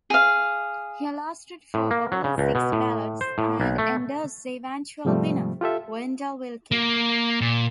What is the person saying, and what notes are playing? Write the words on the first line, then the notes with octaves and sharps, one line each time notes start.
He lasted for all six ballots, and endorsed the eventual winner, Wendell Willkie.
G#4 F5
A2
A#3
F#3
C#3
C#2
B2
A2
C5
A2
B1
A3
G#2 C3 F3 G3 A3 C4
F4 G4 A4 E5
A#3
A#2